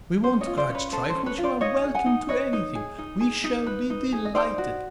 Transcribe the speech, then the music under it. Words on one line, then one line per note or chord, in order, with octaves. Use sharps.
We won't grudge trifles, you are welcome to anything--we shall be delighted!
C#4 C5
C#5 D#5
F4
C5 D5
C#4
B4 C#5
A4 C5
C5
C#4
B4 C#5
F4
C5 D5
D#4 C#5 D#5
G#4
F#5 G#5
D#4
B4 C#5 D#5
D#4
G#4
D#4
G#4
D#4
B4
D#4
G#4
D#5
D#4 C5 D5
F#4